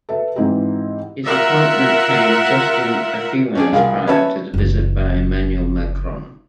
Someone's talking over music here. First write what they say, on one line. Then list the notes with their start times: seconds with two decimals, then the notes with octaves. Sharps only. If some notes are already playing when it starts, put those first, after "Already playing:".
His appointment came in just few hours prior to the visit by Emmanuel Macron.
0.09 A4 B4 E5
0.35 G#2 E3 C4 D#4 E4 G4
1.26 F4 A#4 E5 F#5
3.55 C#4 D4 G#4
3.72 C2 F4 G#4 A#4 F5
4.07 C#4 B4 C#5 E5 A5
4.54 F#1 E3